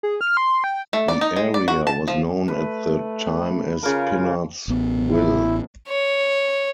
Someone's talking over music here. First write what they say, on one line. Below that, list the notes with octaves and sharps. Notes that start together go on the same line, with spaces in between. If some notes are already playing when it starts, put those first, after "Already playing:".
The area was known at the time as Pinards Ville.
G#4
F6
C6
G5
A3
D5
D#4
G#3
D5
F#4
A5
F3
A3 B4
C#3 F4 A#4
A1 B3
E4
C#5